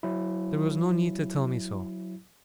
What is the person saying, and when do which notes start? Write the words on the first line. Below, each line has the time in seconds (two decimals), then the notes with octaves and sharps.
There was no need to tell me so.
0.03 F#3 E4